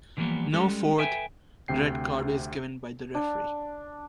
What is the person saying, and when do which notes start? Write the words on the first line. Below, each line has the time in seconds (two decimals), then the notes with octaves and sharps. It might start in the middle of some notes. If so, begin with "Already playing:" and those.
No fourth red card is given by the referee.
0.17 D3 E3 F3 G3 A#3 B3
0.52 G3 G#3 C#4 A4
0.98 A4 B4 E5 G5 G#5
1.68 D2 C3 G5 C7
3.15 D4